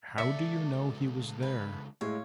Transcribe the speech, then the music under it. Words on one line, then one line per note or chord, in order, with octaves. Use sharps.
How do you know he was there?
C#2 A4 D5 E5 C#7
B4
A2 G#3 E4 C#5 F5